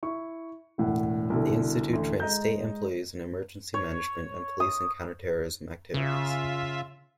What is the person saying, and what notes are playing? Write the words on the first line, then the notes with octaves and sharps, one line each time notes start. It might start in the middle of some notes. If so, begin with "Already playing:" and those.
The institute trained state employees in emergency management and police in counter-terrorism activities.
E4 C#6
E1 A2 F#5
C2 B2 D3
A1 D2
G#3 D#5 A#5 G6
C#5
D#6
C#3 F4 E5